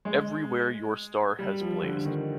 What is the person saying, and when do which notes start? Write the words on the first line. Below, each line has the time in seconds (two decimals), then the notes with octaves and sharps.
Everywhere your star has blazed.
0.05 G#3
1.39 G3
1.61 F3
1.83 D3
2.05 D#3